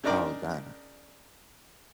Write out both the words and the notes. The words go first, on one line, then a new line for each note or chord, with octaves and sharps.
Oh, god.
C#3 D4 D#4 A#4 D5 G5